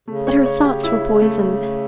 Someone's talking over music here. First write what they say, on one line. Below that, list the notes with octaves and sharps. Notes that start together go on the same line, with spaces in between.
But her thoughts were poisoned.
C#3 A3
C#5
C#5
G4
E4
E4
A3